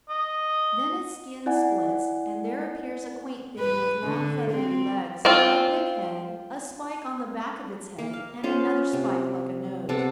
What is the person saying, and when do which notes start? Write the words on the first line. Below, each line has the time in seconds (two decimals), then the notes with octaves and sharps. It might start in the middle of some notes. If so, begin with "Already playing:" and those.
Then its skin splits, and there appears a quaint thing with long feathery legs, a big head, a spike on the back of its head, and another spike like a nose.
0.10 D#5
1.46 E4 D5 F#5 G#5
3.59 B4
4.03 D3
4.52 C4
5.25 C4 F4
7.99 A#3
8.13 F5
8.43 C#4 F4 C5
8.93 C3
9.89 C3 B3 A4 F#5